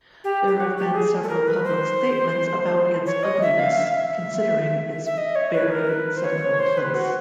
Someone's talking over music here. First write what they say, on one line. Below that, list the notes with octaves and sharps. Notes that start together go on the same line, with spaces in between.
There have been several public statements about its ugliness, considering its very central place.
G4
G4
F#4
G4
G#4
A4
A#4
B4
C5
C#5
D#5
E5
F5
E5
F5
E5
E5
D#5
C#5
B4
A#4
B4
C5
C#5
C5
B4
F#4